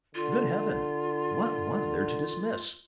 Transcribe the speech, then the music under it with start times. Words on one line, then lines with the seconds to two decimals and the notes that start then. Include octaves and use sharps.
Good Heaven, what was there to dismiss!
0.15 D3 F4